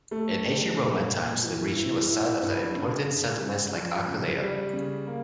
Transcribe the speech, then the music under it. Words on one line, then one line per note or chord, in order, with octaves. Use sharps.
In Ancient Roman times the region was the site of important settlements like Aquileia.
A3
G4
A#2
A#2
E3
E4
E4
G2
C#3
C#3
C#4
F3
C#3
G3
C#3
A#3